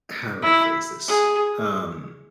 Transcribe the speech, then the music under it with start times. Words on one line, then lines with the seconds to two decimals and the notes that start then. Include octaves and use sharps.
How do I phrase this? Um,
0.42 E4
1.07 G#4